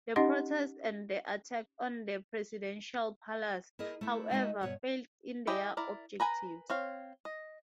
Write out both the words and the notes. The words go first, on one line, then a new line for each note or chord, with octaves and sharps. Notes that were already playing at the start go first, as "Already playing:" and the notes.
The protests and the attack on the presidential palace, however, failed in their objectives.
C#4 D#4 G4 D#5 F#5 C6
E4 G#4 A#4 D#5
A3 E4
G#3 D#4 F#4 B4 D#5 E5
G2 B2 C#5 F#5
E4 G4 G#4 D#5
E4 A#4 D5
A#4 B4 G#5 A#5
C4 C#5 F5
D#5